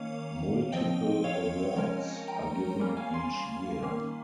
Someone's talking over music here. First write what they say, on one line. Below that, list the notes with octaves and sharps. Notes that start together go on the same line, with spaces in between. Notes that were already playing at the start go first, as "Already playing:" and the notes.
Multiple awards are given each year.
Already playing: D#3 A#3 C#4 C#5 F5
F3 C4 D#5 G5
C#5 F5
F3 G#3 C#4 A#4 C#5
G5 A#5
G3 A#3 C#4
F5 G#5
G#5 C6
D#3 A#3 C#4